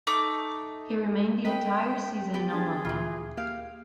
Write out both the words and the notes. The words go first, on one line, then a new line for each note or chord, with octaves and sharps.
He remained the entire season in Omaha.
A3 D#4 D6
B3 C4 A#4 D#5 G5 B6
B3 G4 G5
D4 G#4 A5 A6
D2 A#2 E3 F4
A#3 G4 F5